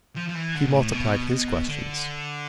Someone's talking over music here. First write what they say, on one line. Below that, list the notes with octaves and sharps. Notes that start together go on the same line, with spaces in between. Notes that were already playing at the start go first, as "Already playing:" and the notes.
He multiplied his questions.
F3
F3
E3
D3
B2
A2
B2
B2
D3